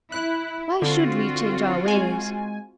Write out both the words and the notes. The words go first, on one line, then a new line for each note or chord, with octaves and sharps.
Why should we change our ways?
E4 F#6
D3 C4 F4 F#4
G#3 G#5